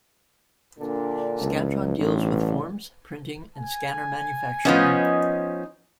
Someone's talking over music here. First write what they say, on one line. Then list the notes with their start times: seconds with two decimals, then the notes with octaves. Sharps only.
Scantron deals with forms printing and scanner manufacturing.
0.79 A#2 D3 D4
1.41 C#2
1.99 A1 G2 D3
3.56 G#5
4.65 F3 B3 C#4 D#4 D#5